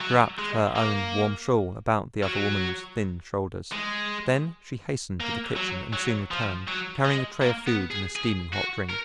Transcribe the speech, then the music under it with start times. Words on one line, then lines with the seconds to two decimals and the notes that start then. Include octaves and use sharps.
She wrapped her own warm shawl about the other woman's thin shoulders. Then she hastened to the kitchen and soon returned, carrying a tray of food and a steaming hot drink.
0.01 F#3
0.39 G#3
0.75 A#3
2.23 F#3
3.72 G#3
5.20 A#3
5.56 F#3
5.93 F#3
6.31 F3
6.68 F#3
7.05 G#3
7.42 A#3
7.67 B3
7.91 G#4
8.16 G#4
8.53 F#4
8.89 A#4